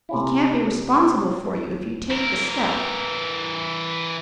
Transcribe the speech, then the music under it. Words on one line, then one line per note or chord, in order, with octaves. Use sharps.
He can't be responsible for you if you take this step.
C3 C#4 E4
E3 A#4